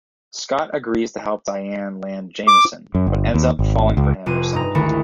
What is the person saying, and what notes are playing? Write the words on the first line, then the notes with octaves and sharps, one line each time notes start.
Scott agrees to help Dianne land Jamison, but ends up falling for her himself.
D6
F#2
G1
D#2
G#1
C#2
F1 F2 D#7
G2 D#4 A#5
G#1 D2 D#3 A3 E4 C#7